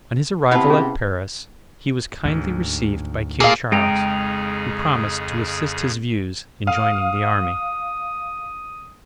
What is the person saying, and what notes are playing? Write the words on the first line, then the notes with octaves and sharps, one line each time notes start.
On his arrival at Paris, he was kindly received by King Charles, who promised to assist his views in joining the army.
C3 B3 E4 F5 F#5 A5
C#4 G#4
D2 G#2
A#2 A#3 G#4 A4 F5
F2 C#3 G#3 D#4 G#4 G5 A#5
F5 D#6